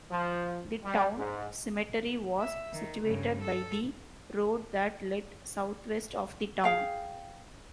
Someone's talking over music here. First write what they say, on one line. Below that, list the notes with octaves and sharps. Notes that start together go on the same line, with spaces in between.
The town cemetery was situated by the road that led southwest of the town.
F3
G3
G#2
E5
D#3
G2 C#3
A4
G#4 F5 G5